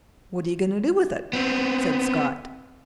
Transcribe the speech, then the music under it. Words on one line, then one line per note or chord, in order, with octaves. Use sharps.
'What are you going to do with it?' said Scott.
B3 C4